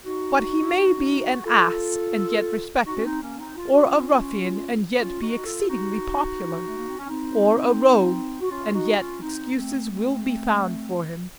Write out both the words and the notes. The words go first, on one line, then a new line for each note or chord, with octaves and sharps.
But he may be an ass, and yet respected; or a ruffian, and yet be exceedingly popular; or a rogue, and yet excuses will be found for him.
D#4 F#4
F#4
F4 A4
D#4 F#4
C#4
C4 D#4
A#3 C#4
C4 D#4
F4
F#4
C#4 F4
C#4 F4
D#4 F#4
F4 A4
D#4 F#4
A3
A#3
C4
C#4
C4 D#4
F#4
C#4 F4
D#4 F#4
C#4 F4
C4 D#4
A3 C4
A3 C4